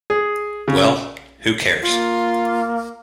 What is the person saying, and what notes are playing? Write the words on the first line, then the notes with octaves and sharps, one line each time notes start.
Well, who cares?
G#4
C#3
A#3 F4